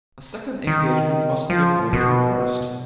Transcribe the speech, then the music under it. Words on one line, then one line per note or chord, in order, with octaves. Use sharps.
A second engagement must give way to a first.
D#3
F3
B2